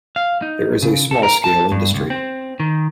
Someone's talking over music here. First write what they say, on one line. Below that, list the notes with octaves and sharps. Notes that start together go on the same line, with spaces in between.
There is small scale industry.
F5
D#4
C#3
A4
A#4
A5
G2
C#2
C4
D#3